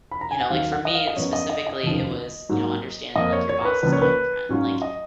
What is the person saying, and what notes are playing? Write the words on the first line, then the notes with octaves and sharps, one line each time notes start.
you know, like, for me, specifically, it was, you know, understanding, like, your boss is not your friend, like
B5
A#5
G#5
F#5
D#2 D#3 F#3 F5
F#5
D#5
F5
D#5
F#2 F3 B3 F4 C#5
D#5
D#5
D#5
F1 D#2 C#3 F3
G#2 F#3 A#3 D#4
F2 F3 A#3 D#5
C#5
C#5
A#4
B4
C#2 C#3 F3 A#3 B4
C#5
B4
G#2 F#3 C#4 F4
D#5